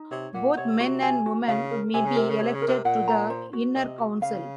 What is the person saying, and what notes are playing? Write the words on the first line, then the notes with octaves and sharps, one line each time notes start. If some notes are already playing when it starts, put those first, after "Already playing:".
Both men and women may be elected to the inner council.
Already playing: D#4
C3 C#5
A#2 F#5
C3 C#5
F#4
G#5
F#4
C#3 F5
A#4
C3 G#5
C#3
C3 A#4
C#3
C3 C#5
C#3
A#4
C3
A#2 F#5
A#5
C5
F#4
C3 D#5
F#4
C#3 F5